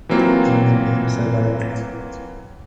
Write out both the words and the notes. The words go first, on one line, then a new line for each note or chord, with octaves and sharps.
All animals survived.
E3 F#3 A#3 C4 F4